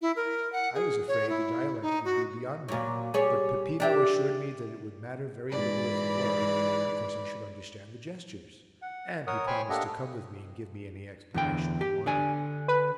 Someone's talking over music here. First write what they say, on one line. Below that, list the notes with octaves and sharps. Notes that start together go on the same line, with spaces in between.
I was afraid the dialect would be beyond me, but Peppino assured me that it would matter very little if it were, because I should understand the gestures, and he promised to come with me and give me any explanation I wanted.
E4
A#4
F#5
G#4
C#5
E4
D#4
F#4
A#2 F#3
G3 G#4 C#5
D4 G4 E5
G#2 E3 D5 B5
F#5
A#4 C#5 F#5 D#6
C5 C#5 G5 G#5 B5 C#6
A#3 D4 G4 A4 D#5 F#5
E2 D3 G5
G4
D3 D5 G#5
B4